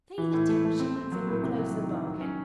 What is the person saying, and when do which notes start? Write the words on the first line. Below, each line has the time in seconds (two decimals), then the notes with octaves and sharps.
Say the ten shillings, and we'll close the bargain.
0.18 E3
0.33 A2
0.49 A3
0.65 A3
0.80 C4
0.96 C4
1.12 F#3
1.27 A2
1.43 C3
1.59 F#3
1.74 D#3
1.90 D#3
2.05 F#3
2.21 C#4